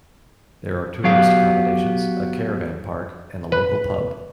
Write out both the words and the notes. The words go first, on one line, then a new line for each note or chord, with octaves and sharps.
There are tourist accommodations, a caravan park, and a local pub.
F#3 B3 G4 F5
B4